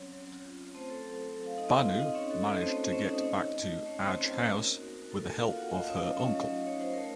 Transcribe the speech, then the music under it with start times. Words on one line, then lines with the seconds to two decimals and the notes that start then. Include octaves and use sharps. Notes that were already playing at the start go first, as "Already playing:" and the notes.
Bhanu managed to get back to Aj house with the help of her uncle.
Already playing: F#3 C4 C#4 C#5
0.12 F#3
0.44 F4
0.74 A3 C4 C5
0.90 A4
1.06 F#3 A4
1.21 A4
1.37 F#3
1.46 F5
1.57 D#4 D#5
1.68 C4
1.78 F4 F5
1.99 C4 D#4 D#5
2.15 C#4 C#5
2.30 F#4 A4
2.57 C#5
2.61 A3 C4 C5
2.77 C4 C5
2.92 C#4 D#4 C#5
3.08 D#4 D#5
3.24 D#4
3.55 A3
3.86 A3 C#4 C#5
4.02 C4 C5
4.17 C#4 F#4 C#5
4.33 C4 C5
4.48 A#3 D#4 A#4
4.79 A#3 F#4
5.11 A#3 A4
5.26 A#3 A#4
5.42 F4 F#4 F5
5.57 F#4 F#5
5.68 D#5
5.73 A3 F4 F5
5.88 C#4 C#5
6.04 F#3 D#4 D#5
6.20 C#4 C#5
6.35 F#3
6.66 D#4 C#5
6.80 C5
6.94 A3 A#4